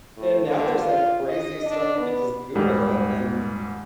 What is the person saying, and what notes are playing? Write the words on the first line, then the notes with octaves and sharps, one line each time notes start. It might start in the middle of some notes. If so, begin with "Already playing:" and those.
and now there's, like, crazy stuff, you could just Google it and,
A2
D3
F4
D#5
D4
B3
D#1 G#2 G3